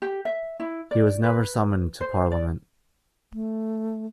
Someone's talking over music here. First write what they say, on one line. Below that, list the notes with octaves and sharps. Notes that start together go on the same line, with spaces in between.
He was never summoned to Parliament.
G4
E5
E4
D5
B4
C5
D5
A3